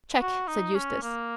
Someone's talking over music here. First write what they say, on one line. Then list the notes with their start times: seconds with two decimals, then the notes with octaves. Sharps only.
"Check!" said Eustace.
0.21 F#4
0.48 D#4
0.75 C#4
1.03 A#3